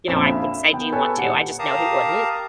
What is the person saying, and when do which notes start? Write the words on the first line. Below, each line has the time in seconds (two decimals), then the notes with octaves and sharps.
you know, I would say, "Do you want to?" I just know he wouldn't.
0.08 A#1 F2 C4 C#4 E7
0.25 E5 F5 B5
0.71 B3 G5
0.92 A4 B4 C#5 G#5 A5
1.17 D#1 G4 F#5 C#7
1.59 G4 A#4 F5 A5 A#5 D#6